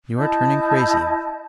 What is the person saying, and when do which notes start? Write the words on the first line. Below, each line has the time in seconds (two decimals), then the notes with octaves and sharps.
You are turning crazy, I think.
0.17 E4 D#5 A5 G6